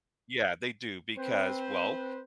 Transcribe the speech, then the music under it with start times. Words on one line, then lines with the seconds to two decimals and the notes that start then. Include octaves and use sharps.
Yeah, they do, because, well,
1.17 C4 B4 C5